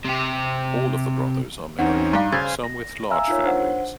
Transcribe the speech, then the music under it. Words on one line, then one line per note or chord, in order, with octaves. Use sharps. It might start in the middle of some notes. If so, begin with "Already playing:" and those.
All of the brothers are married, some with large families.
C3 G4
E2 C4 C#4 D#4 F#5
G2 F5 A#5
C#3 C5 F5 G#5 E6 G#6 A6
A#6
E5 F5 G#5 A#5 E6 F6
D#4 F4 A#4 C#5
D4 C5 F#5